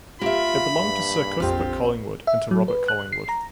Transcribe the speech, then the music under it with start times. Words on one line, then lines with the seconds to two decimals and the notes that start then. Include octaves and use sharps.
It belonged to Sir Cuthbert Collingwood; and to Robert Collingwood.
0.21 A#3 F4 G4 E5 B5
0.76 G2
1.40 A#1 F2 C4 F4 G4
2.27 E5
2.51 F#3
2.68 B4
2.88 F#6
3.12 C7
3.29 A#5